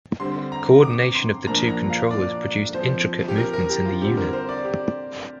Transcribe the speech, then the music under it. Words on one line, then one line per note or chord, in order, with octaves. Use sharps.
Coordination of the two controllers produced intricate movements in the unit.
D3 G3 C4 C6
A#5
D6
C6
A#2 F3 A#3 D4 A#5
A#5
F5
D5
F3 C4 C5
G4
A#4
A#4
G4
F4
D3 G3 C4 G4
A#4
C5
D5
G4